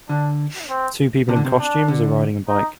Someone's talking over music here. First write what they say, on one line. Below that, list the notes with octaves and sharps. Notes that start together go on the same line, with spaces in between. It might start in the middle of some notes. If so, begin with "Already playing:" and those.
Two people in costumes are riding a bike.
D3 D4
C4
C3 D4
D3
C3
D4
D3
D#4